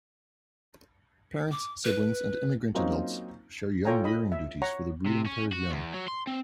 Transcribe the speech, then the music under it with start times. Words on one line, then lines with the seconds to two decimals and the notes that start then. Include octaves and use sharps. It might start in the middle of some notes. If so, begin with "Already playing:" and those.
Parents, siblings, and immigrant adults share young rearing duties for the breeding pair's young.
1.52 D6
1.85 B4
2.75 F#3 A#3 C4 C#4 D#4 F4
3.85 F4 A4 C#5 G5 G#5 A#5
4.04 D#5 B5
4.32 E5
4.62 C#5 F#5 A#5 C#6
5.07 C3
5.26 C#4
5.52 F#4
5.71 E2
5.94 F#3
6.08 C6
6.27 C4